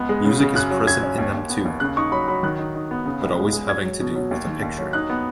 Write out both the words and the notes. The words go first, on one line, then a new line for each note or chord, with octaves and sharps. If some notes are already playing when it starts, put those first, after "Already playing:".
Music is present in them, too, but always having to do with a picture.
Already playing: C#2 B3
G#3
C#3
C#3
F#2 F#6
F#3
F#2 G#6
C#4
D#2
D#2
B3
D#2
C#3 F#6
D#4 C#6
F#3 B5
F#3 B5
D#3 F#6
D#4
D#4
B3
C#3
C#2
G#3
G#3
F#3 G#6
F#3
B2
F#3
D#2
D#3
D#2
F#3
D#4 F#6
B3